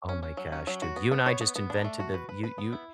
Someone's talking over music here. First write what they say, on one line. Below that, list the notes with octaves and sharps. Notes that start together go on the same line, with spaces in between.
Oh my gosh, dude. You and I just invented the you you
C#4
C#4
F#3
C#4
F#3
F#4
B3
B3
C#5
B3
B3
D4
A3
F#4
B4
B4
B4
B3
E4